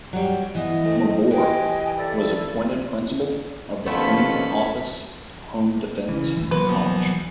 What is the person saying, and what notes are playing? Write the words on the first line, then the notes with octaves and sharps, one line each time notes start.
Mavor was appointed Principal of the Home Office Home Defence College.
F#3 G3
E3 B3 D#5
A3 C4
E3 G4 D#5 G5 G#5
E4 A4 D5
D#2 F3 A3 B3 C#4 A4 C5 B5
C#3 E3
F1 D2 E3
B1 F#3 A#3 B4 C6
E3 F3 B3